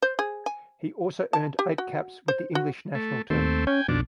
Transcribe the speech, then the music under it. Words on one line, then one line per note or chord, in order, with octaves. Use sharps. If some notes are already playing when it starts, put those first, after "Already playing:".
He also earned eight caps with the English national team.
C5
G#4
G#5
A5
G4
F#4
C5
F#4
A3
D#2 A3 C4
C#4 G5 G#5
B1 F2 D4